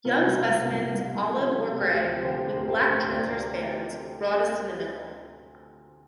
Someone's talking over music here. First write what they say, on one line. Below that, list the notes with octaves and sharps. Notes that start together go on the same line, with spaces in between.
Young specimens olive or grey with black transverse bands, broadest in the middle.
C3 F4 A#4
C2
C2
C2
C2
C2
F3
C3
D2 G4
F3
D3 G4 C5
D2
A#4
D2 G4 C5
D2
D2 A#4 D5